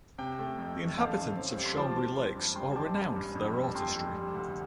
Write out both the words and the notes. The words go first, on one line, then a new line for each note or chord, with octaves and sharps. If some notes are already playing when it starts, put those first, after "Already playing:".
The inhabitants of the Chambri Lakes are renowned for their artistry.
C3 G5
A3
F2
A3
A1 F5 A5
A1
C4
G3
C6
F3 A5 D6
F3
C4
G2
G3 G5 C6
A1 A5 D6
G3
G2
F2
G3
A5
F2 G5 C6
F2
G3
D2